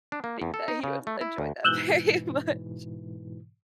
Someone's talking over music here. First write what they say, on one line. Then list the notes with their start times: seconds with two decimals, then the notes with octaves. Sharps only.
think that he would enjoy that very much.
0.12 D4
0.24 A#3
0.42 E2
0.54 A4
0.68 D#4
0.84 C#3
1.07 A3
1.21 E4
1.38 D2
1.65 G#2 B2 E3 E6 F#6 G6